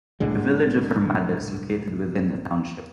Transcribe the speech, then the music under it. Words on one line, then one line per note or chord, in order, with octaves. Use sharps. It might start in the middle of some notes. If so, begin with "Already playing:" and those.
The village of Armada is located within the township.
C2 A2 D3 G#3